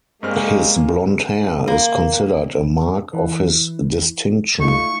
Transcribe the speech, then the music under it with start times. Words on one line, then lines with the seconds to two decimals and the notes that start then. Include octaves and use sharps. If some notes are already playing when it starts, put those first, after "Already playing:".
His blond hair is considered a mark of his distinction.
0.23 G2 G#3 A#3 C4 F6
1.68 A#3
3.13 E3
4.60 A3 D#4 F4 C#6